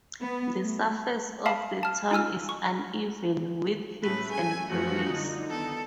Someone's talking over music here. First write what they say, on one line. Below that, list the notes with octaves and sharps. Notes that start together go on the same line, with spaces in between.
The surface of the town is uneven, with hills and valleys.
B3
A3
E5 F5 A5 B5
A5 F6
D#4 F4 G#5 E6 F6
C#6
A2 A3 C#4 G#4 B4
F#2 G#5
F#2 F3 A3 F4 F#4
D3 D#4
D#3 B3 E4 A4